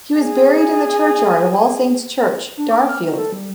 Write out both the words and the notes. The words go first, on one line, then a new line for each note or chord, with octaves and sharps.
He was buried in the churchyard of All Saints Church, Darfield.
G#4 G#5
D4
D6
F6
D#4
A4
G3